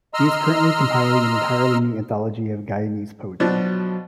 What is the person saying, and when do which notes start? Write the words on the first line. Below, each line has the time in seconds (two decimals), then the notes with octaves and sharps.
He is currently compiling an entirely new anthology of Guyanese poetry.
0.14 D#5 A#5 C6 E6 F6
3.40 B2 F3 F#3 D4